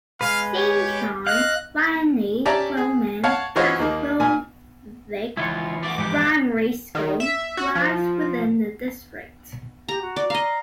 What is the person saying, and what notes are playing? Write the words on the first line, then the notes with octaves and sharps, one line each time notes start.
Saint John Vianney Roman Catholic Primary School lies within the district.
G#3 B4 F5
G4 C#5
D#5 F5 F#6
C#4 G4 D5 E5 A5 A#5
G#4
C#5 F5 F#5 A5
E3 F4 F#4 C5 C#5 D#5
D#2 D#3 A#3
A#2 G#5
C#2 E3 F3 E4 F4 C#5
A3 F#4 D6
F2 G#2 G4
D#3
E5
F#4
F3
G4 A#5
F#4
D5
D#5 F5 A#5